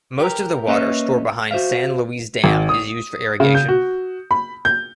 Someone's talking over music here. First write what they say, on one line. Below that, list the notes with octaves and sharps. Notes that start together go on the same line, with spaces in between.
Most of the water stored behind San Luis Dam is used for irrigation.
G4 A#4
A#3 C#4 B4 C#5 D#5 E5
F#4 C5 E5 F5
G#1
D#6
C#3
G6
F#4
B5
G6